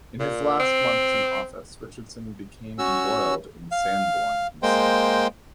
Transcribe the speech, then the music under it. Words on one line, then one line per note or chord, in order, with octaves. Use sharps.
In his last months in office Richardson became embroiled in the Sanborn incident.
A#2
C4
C#4 F#4 E6
F5
G#3 A#3 C5 G5